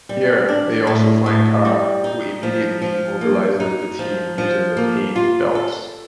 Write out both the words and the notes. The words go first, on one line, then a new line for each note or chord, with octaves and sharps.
Here, they also find Kara, who immediately immobilizes the team using the pain belts.
G3
D4
A2
A2
G3
D#4
F3
F3
A#3
D#4
F3
F3
A#3
F4
A4